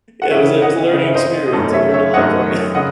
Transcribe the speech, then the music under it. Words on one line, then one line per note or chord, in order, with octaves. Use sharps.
Yeah, it was a it was a learning experience. I learned a lot from it.
F#5
C#3 E3 C4 C#5 E5
D#5 F#5
C#3 E3 C4 D#5
E5
C5 D#5
D#5
F#2 D#3 A3 C#4 A4 C#5
C#5 E5
C#5 E5
F#2 D#3 A3 C#4 D#5 F#5
C#3 D#5 F#5